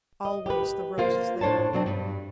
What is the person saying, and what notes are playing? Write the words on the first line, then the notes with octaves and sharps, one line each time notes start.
Always the rose is there.
D#5
G4 B4
A#3 F4 C5
A2 D4 C5 C#5 A5
B2 F#3 C4 D4
G2